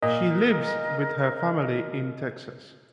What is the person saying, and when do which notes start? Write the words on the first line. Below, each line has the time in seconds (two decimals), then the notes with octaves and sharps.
She lives with her family in Texas.
0.03 A#2 A#4 D#5